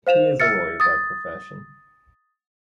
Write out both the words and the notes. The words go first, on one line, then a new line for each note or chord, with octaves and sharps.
He a is lawyer by profession.
C5 F5 E7 F7
E5 E6 F6 A6 C#7
D#6 A6